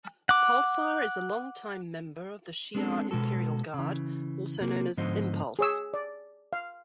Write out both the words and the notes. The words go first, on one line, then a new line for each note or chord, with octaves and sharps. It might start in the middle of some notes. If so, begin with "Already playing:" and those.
Pulsar is a long-time member of the Shi'ar Imperial Guard, also known as Impulse.
F#5 D6
G#3 B3 C4 D4 A4
B2 G#3 F#4 A4
C#3 E3
C3 A#3
G#2 D3 F3 B3 C5 D#5
G#4 C#5 E6
D5
F5